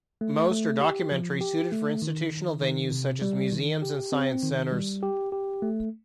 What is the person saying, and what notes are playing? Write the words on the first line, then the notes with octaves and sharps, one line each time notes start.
Most are documentaries suited for institutional venues such as museums and science centers.
A3
A3
G4
F3
G4
A3
D#3
D#3
D#3
C3
G3
D#3
G4
C4
D#3
G3
G4
G4
A3